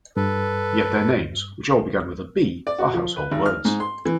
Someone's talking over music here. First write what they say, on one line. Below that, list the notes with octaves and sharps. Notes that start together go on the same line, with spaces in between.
Yet their names, which all begin with a 'B', are household words.
G2 A4 B4
D5
F#4
F3
B4
G#1
F6
G#2
C6
E3